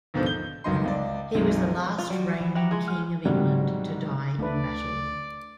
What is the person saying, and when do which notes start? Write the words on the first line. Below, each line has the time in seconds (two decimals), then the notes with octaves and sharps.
He was the last reigning King of England to die in battle.
0.14 D#2 G#2 B2 D3 F3
0.26 G6 G7
0.64 G1 C#2 D#3 F#3 D#5 C6
0.85 C#2 D5
1.34 B1 F#2 C3 D#3 G#3
1.98 F4
2.10 F#3 G3 F#4
2.41 E3
2.55 E4 F#4 G4 F#5 A#5
2.71 G#3 E4 G#4
2.88 G#5 F6
3.25 G#2 C3 D#3 F#3 G3
4.39 D2 A3 D4 B4 D5